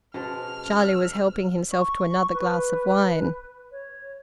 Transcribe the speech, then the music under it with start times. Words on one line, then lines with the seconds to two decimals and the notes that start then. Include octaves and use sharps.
Charlie was helping himself to another glass of wine.
0.14 B2 G#3 C#4 G4 C5 A5 F6
1.73 C#6
2.34 B4
3.72 C#5